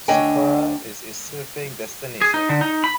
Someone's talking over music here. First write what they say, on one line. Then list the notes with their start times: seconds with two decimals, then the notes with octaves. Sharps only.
Sipora is a surfing destination.
0.08 D2 D4 C#5 D#5 G5 G#5
2.21 G#4
2.34 D#4
2.49 D3
2.61 D#4
2.84 B5